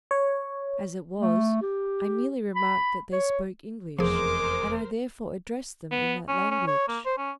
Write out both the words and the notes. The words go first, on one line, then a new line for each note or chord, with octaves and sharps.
As it was, I merely remarked that they spoke English, and I therefore addressed them in that language.
C#5
A3
G4
B5
C#5
F1 E2 F3 G#3 G#4 A#4 C5 D6
B3
C#4
C#4
C#5
A#3
C5
C#4